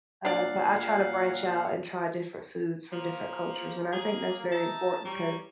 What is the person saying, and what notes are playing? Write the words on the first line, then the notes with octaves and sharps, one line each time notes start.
uh, but I try to branch out and try different foods from different cultures, and I think that's very important 'cause,
A#2 D4 D5 F5 F#5
F3 A#3
G#4
D#4 E5 A5 A#5
G3 C#5 A#5